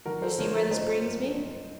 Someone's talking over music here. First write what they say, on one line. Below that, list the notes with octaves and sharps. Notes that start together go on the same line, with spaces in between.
You see where this brings me?
F3 F#4 A#4
A4 C5
F3 A#4 C#5
A#4 C#5
F3 C5 D#5
F#2
C2